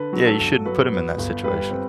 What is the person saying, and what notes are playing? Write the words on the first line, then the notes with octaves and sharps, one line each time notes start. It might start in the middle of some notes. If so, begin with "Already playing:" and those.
Yeah. You shouldn't put 'em in that situation.
Already playing: D3 B4
F#3
A4
G1
F#3 B4
B3
G1
G3 B4
C4